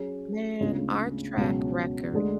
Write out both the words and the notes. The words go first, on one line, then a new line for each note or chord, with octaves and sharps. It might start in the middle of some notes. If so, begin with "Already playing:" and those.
Man, our track record
Already playing: F#3 C#4 G#4
D2 C#3 G#3 B3 F4
C#2 B2 F#3 C#4
D2 D3 G#3 D4